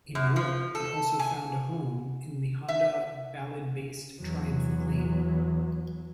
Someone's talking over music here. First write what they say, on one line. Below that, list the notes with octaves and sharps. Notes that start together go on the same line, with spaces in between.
In Europe it also found a home in the Honda Ballade-based Triumph Acclaim.
F#2
F3
A4
G#5
E5
E2 F#3